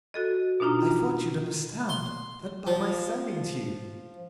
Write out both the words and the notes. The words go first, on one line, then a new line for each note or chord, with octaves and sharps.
I thought you'd understand that by my sending to you.
F#4 A4 D#5
B2 D4 D#4 F4 A#5
C6
F3